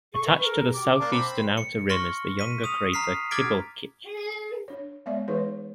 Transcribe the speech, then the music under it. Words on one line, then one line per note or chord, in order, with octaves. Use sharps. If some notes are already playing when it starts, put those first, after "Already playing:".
Attached to the southeastern outer rim is the younger crater Kibal'chich.
C#6
A#4
D6
A#3 D4
C4 B5
C#7
C6 C#6 F6 A#6
B6 D#7
D#6 F7
A#5 F6 B6 C7
D6 F6 G#6 A6 B6 D7
D4 C#5
G#3 B3 C#5 D5 E5
E3 G#3 D#4 G#4 B4 C#5